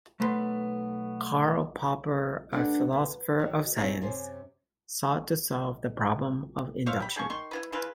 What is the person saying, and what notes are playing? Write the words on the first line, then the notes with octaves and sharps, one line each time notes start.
Karl Popper, a philosopher of science, sought to solve the problem of induction.
B1 A3 B3 B4 C6
D2 D3 D4 G4 B4 F#5
B4
D#3 F#3
C4 D#4 G#4 C#5
F#2 C3 C#4 C5
C5 C#5 E5 F5
G4 B5
F3 G#4 A4 C#6
D#3 C6 C#6
E4 F4 B4
C#3 E4 F4 B4